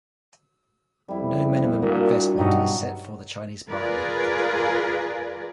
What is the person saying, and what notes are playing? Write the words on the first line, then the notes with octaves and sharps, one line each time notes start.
No minimum investment is set for the Chinese partner.
F2 G3 E4
A#2 A#3 D4 F4 F#4
G2 B2 F#3 D#4 C#5
F4 G#4 A#4 B4 D5